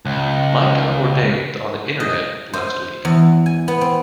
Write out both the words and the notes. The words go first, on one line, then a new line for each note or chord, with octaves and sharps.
Mike got ordained on the internet last week.
C#2
D#5
C5
E2
G#5
B3
C4